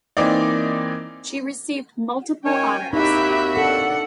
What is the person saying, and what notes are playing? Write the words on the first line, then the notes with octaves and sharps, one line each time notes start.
She received multiple honors.
E3 A#3 C4 D#4 D5
D#3 C#4 C#5 G5 G#5
D#2 C4 D#4 E4 F#4 G4 E5 B5
D4 A4 F#5